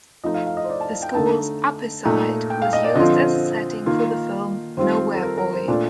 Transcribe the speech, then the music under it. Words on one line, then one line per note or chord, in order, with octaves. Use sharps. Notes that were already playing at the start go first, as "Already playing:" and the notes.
The school's Upper Site was used as a setting for the film "Nowhere Boy".
F3 A3 D#4 D#5
F5
F5
D#5
C5
D5
A5
G5
D3 A3 D#4 A5
A#2 A3 D#4
G5
F5
D#5
D5
D3 F3 C4 F4 D#5
D#3 A#3 F4
D#3 G3 C4 F4 C5
A4
A#4
A#4
C5
A#2 A3 D4 F4 D5